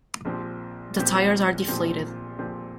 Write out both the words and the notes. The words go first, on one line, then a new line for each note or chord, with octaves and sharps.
The tires are Deflated.
A#1 A#2 F3 C4 G4
A#1 A#2 F3 C4 G4
A#1 A#2 F3 C4 G4
A#1 A#2 F3 C4 G4